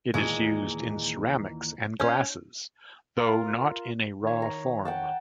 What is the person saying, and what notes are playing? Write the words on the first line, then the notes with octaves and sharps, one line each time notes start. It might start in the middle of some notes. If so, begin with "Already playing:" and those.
It is used in ceramics and glasses, though not in a raw form.
D#2 A#2 E3 G#3 D#4
C#4 G6
F4 A#4
D#3 C#5
A#5
F#5 G5 A5